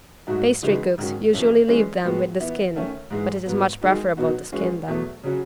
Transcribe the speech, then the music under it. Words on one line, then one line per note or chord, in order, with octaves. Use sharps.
Pastry cooks usually leave them with the skin but it is much preferable to skin them.
G#2 F#3 A3 D#4 F#4
C#3 E3 G#3 D#4 F#4
G#2 D#3 F#3 C#4
F#2 E3 A3 C#4
E3 G#3 C#4
A2 G#3 B3 F#4
E3 B3 E4
D#3 A3 C#4
G#2 E3 G#3
G#2 F#3 B3
D#3 G#3 D#4 F#4
B2 F#3 B3 D#4 F#4
E3 G#3 C#4 F#4
E2 B2 F#3 A3
C#3 F#3 C#4 F#4